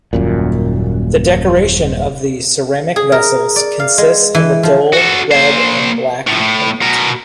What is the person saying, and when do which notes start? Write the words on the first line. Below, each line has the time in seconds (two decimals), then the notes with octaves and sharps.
The decoration of these ceramic vessels consists of a dull red and black paint.
0.13 D#1 F#2 A#2
2.96 G#4
3.12 A#4
3.56 D5
3.79 F5
3.98 G#3
4.35 E3
4.63 F3
4.93 F#4 A4
5.31 A#2 C5
6.27 A2 F3
6.40 A2
6.82 B2 A#4